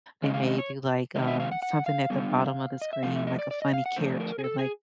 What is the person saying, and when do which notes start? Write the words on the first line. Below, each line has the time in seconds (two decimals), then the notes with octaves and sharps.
they may do, like, uh, something at the bottom of the screen, like a funny character, like,
0.22 D#3 G#3 C#4 D#5
0.34 F5
0.46 D#5
0.58 C#5
1.16 D#3 G#3 C4 D#5
1.27 E5
1.40 F5
1.51 F#5
1.62 F#5
1.86 F5
2.10 D3 G3 B3
2.82 D#5
2.93 E5
3.03 A2 F3 A3 C4 F5
3.16 E5
3.27 D#5
3.39 D5
3.51 D5
3.62 D#5
3.73 F5
3.86 F#5
3.96 D3 F3 A3 D4 C5
4.20 A#4
4.39 G#4
4.44 A4
4.59 G#4